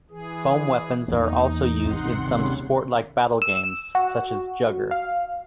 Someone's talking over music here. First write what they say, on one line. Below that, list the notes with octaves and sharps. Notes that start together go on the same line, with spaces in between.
Foam weapons are also used in some sport-like battle games such as Jugger.
E3 G#4
E2 E3 A#3 D#4
G#1 C3 D#3 C4 F#5 C6
D#2 C#3 G3
E6
F#4
F5